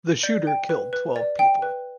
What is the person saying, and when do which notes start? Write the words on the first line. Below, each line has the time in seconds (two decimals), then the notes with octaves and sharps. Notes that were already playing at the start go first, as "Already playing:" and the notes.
The shooter killed twelve people.
0.23 D5 G6
0.47 G5
0.69 B4
0.93 B4
1.16 D5
1.39 G5
1.62 B4